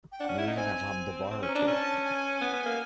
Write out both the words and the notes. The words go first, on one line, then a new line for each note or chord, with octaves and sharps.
I may even have hummed a bar or two.
G5
D4 F#5
C#4
E4
D#4
C4 G#5
C4
C#4
A#5
D4
C#4 A5
G#5
B3
B3
A#3